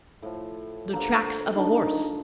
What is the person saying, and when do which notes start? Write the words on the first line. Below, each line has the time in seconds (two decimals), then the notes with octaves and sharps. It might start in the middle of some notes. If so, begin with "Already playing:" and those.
"The tracks of a horse."
0.22 A2 F3
0.94 D3 A#3 C5 A#5
1.55 D4 D#4 A5